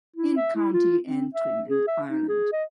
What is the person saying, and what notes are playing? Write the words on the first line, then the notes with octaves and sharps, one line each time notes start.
In County Antrim in Ireland.
E4
E5
E4
F4
C4
E5
G#4
E5
D#4
G#4
D#5